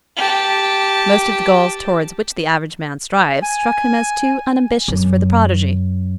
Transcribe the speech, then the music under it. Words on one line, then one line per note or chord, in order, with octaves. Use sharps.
Most of the goals towards which the average man strives struck him as too unambitious for the prodigy.
G4 A5
G#5
F#2